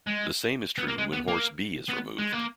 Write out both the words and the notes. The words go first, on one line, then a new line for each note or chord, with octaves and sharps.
The same is true when horse B is removed.
G#3
B3
A#3
G#3
B3
A#3
B3
G#3
A#3